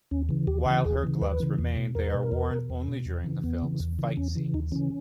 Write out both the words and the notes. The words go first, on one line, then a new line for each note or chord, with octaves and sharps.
While her gloves remain, they are worn only during the film's fight scenes.
D#2 C#4
C#3 E3
D#2 G4
C#3 E3
D#2 G#4
C#3 E3
D#2 B4
C#3 E3
E2
B2
E2 A#4
B2 B4
A#4
E2
B2
E2
B2
E2
C#3 E3
E2 B3
C#3 E3
E2
C#3 E3
E2 C#4
C#3 E3
D#2 D#4
C#3 E3 C#4